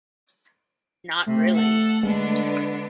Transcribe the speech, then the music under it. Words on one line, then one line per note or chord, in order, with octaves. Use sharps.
Not really.
C3 A3
A4 F#5
D3 G#3 A#3 B3 D4